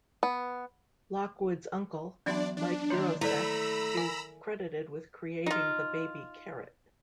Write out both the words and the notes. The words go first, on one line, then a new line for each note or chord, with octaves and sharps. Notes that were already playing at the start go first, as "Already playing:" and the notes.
Lockwood's uncle, Mike Yurosek, is credited with creating the baby carrot.
B3
E3 F#3 B3 C#4 D4 F#4 D5
D4
D#3 A#3 C#5 C6
A3 E4 C5 D5 A#5 B5 E6
A#4 G#5
D#4 F4